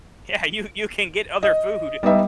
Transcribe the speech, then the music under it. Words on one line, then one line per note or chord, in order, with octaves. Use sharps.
Yeah, you you can get other food.
D#5
G3 B3 D#4 D#5 E5